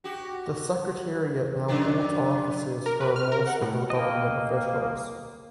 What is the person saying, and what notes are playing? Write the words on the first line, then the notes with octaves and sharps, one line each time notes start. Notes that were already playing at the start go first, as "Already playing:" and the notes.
The Secretariat now holds offices for most of the Government officials.
F#4 G4
F2 D3 D4
A#4
B4
F6
A#4
F#5
A2
A#3 D#5 G5